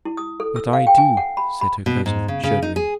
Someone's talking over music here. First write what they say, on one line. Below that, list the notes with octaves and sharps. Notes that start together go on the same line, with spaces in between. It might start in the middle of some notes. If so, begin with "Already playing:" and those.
'But I do,' said her cousin, shuddering.
E4
D#6
A4
E6
F5
G5
G#5
F#5
B5
B5
B2
G#2
C#3
C#3
D#4
G#4